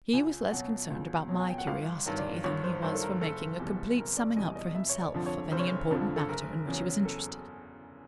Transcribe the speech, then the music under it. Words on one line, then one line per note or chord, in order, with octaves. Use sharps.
He was less concerned about my curiosity than he was for making a complete summing up for himself of any important matter in which he was interested.
C#2 G#5
B2 F#3 F#5
C#2
B2 F#3
G#5
G5
F#5
G1 F5
G2 D#3 F#3
D5
G1 C#5
C5
G2 D#3 F#3 C5
A4
A#4
F#1 A4
E2 B2 G3
F#1 A#4
D5
E2 B2 G3 D#5
D#5
F1 E5
C#5
D5
F2 D3 F3
C#5
F1 C5
C#5
C5
F2 D3 F3
A4
F#1 A#4
E2 C#3 F#3
F#1 A4